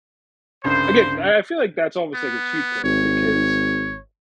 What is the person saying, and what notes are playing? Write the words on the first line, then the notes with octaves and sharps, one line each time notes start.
Again, I I feel like that's almost like a cheat code because
C2 G2 C#3 C5
B3
G#1 C#5